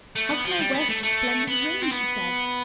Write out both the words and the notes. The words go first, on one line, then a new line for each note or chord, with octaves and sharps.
"How can I wear such a splendid ring?" she said.
A3
B3
F3
G3
B3
A3
A3
B3
C4
B3